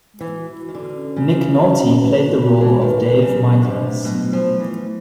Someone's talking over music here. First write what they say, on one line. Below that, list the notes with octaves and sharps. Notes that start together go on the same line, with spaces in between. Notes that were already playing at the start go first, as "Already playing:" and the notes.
Nick Nolte played the role of Dave Michaels.
G#3
E3
F#4
F#4
D#3
D3 F#4
C#4
C#3 F#4
C#4
F#4
C#4
B4
F#4
F#4
E3 G#3
D#3 B4
D3 B4
C#3 F#3
D4
C3 D4
A3
B2 F#3
F4
F3
A3
E3
F#3